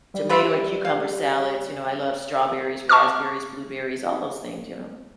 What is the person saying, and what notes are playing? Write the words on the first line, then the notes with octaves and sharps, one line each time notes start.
tomato and cucumber salads, you know, I love strawberries, raspberries, blueberries, all those things. You know?
G3
F4 B4 E5
F5
A5 C#6 D6 F6